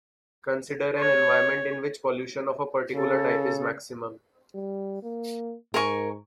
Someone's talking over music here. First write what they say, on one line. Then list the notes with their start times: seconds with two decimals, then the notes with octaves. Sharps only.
Consider an environment in which pollution of a particular type is maximum.
0.98 C#5
2.95 C#3 A4
4.55 G3
5.03 A#3
5.74 G#2 A#4 G#5 C#6